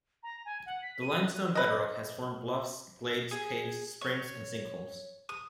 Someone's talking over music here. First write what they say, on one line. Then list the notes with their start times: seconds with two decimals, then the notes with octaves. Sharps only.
The limestone bedrock has formed bluffs, glades, caves, springs, and sinkholes.
0.23 A#5
0.45 G#5
0.66 F#5
0.82 B6
1.01 D#7
1.25 F#6
1.55 B4 D#5
3.31 G#4
4.01 C#5
5.29 D#6